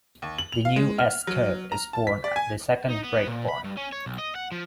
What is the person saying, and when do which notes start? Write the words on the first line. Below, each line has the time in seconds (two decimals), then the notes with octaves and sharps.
A new S-curve is born at the second breakpoint.
0.22 D#2
0.38 F#7
0.52 F7
0.65 F5
0.76 G#3
0.99 F6
1.27 F#3
1.72 A#5
1.93 A5
2.07 B6
2.24 D5
2.36 G#5
2.90 D#4
3.03 B3
3.27 A#2
3.48 B5
3.64 G2
3.77 C#4
3.92 C#5
4.06 B1
4.19 D#5
4.36 F#5
4.52 F3